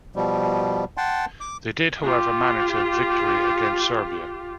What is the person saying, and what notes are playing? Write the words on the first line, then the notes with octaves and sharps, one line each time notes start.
They did however manage a victory against Serbia.
B2 F3 G3
F#5 G5 A5 C6
D6
F4 G4